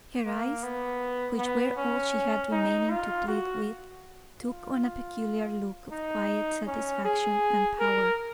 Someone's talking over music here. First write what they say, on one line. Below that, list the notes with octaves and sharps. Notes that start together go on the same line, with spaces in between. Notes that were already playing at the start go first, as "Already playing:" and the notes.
Her eyes, which were all she had remaining to plead with, took on a peculiar look of quiet satisfaction, and power.
A#3
B3
B3
C#4
D#4
F4
F#4
F4
D#4
C#4
G#4
A#4